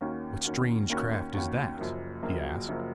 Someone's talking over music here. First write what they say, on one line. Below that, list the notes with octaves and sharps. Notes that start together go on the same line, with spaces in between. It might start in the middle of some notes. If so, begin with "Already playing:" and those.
"What strange craft is that?" he asked.
D#2 D#3 A#3 C#4 F#4
D#2 D#3 A#3 C#4 F#4
D#2 D#3 A#3 C#4 F#4
D#2 D#3 A#3 C#4 F#4
F#1 F#2 F3 A#3
F#1 F#2 F3 A#3
F#1 F#2 F3 A#3